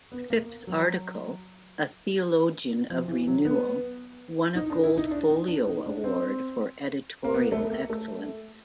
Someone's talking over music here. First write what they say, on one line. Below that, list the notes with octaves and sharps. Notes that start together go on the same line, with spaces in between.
Phipps' article, "A Theologian of Renewal", won a Gold Folio award for editorial excellence.
B3
A#3
F#3
F3
E3
F#3
B3
D#4
D4
E4
D#4
D4
D#4
D4
D#4
D4
C4
A#3
B3
A3
A#3
A3